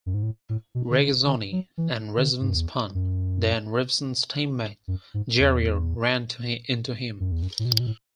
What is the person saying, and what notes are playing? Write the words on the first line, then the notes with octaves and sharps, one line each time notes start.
Regazzoni and Resvon spun, then Revson's team-mate, Jarier ran into him.
F#2
G#2
A2
A2
B2
D3
C#3
D3
F#3
E3
D3
G#2
F#2
E2
F#2
F#2
G#2
E2
F#2
E2
F#2
A2
B2
A2
B2
A2